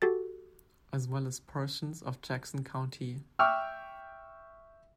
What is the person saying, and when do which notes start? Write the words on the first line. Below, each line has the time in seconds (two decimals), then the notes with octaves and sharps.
As well as portions of Jackson County.
0.02 F#4 G4 A4 A6
3.39 E5 G5 C#6 D6 E6 F6